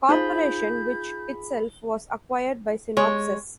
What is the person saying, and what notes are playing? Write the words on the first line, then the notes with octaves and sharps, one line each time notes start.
Corporation, which itself was acquired by Synopsys.
D#4 F4 G#4 C5 B5 G6
G#3 C#5